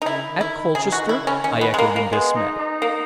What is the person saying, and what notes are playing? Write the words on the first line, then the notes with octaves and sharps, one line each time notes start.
"At Colchester!" I echoed in dismay.
D#4
C#3 E4
D#3
E4
D#3
C#3 G#4
E3 F#4
D#3
E4
C#3
C#4
D#3 C#4
B3
G#3
A#3
A#3
G#3 B3
D#4
D#4
A#3